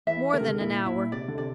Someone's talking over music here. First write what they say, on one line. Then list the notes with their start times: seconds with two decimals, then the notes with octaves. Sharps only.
More than an hour.
0.07 E3 E5
0.33 D3 A#4
0.41 C3
0.48 D3
0.60 A#2 E4
0.86 A#2 E4
1.12 C3 D5
1.28 D3
1.38 C3 D5